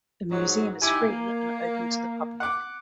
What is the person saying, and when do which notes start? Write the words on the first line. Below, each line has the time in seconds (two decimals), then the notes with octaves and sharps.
The museum is free and open to the public.
0.31 G#2 F#3
0.82 D#4 E4 G4 G#5 D6
1.01 A#3
2.40 F#5 D6